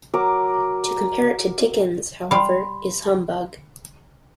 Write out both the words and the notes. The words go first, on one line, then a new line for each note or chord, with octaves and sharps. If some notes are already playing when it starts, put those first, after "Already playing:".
To compare it to Dickens, however, is...humbug.
F#3 A#4 A#5 D6
G3 F5 B5 C6